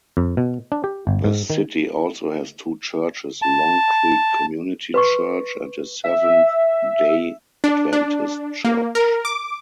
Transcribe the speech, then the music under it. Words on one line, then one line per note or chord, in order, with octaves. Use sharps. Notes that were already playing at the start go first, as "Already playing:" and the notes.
The city also has two churches-Long Creek Community Church and a Seventh-day Adventist Church.
F2
B2
D4
G4
G1
G#2
D#3
A5
B4 C6 C#6
E5
D4
D4
A#3
A#4
D6